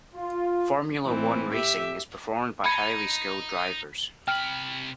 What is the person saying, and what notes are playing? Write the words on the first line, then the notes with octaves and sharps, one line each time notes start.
Formula one racing is performed by highly skilled drivers.
F4
A2 E3 C4
G4 E5
D#4 B5 G#6 C#7
C3 G5 B5 F6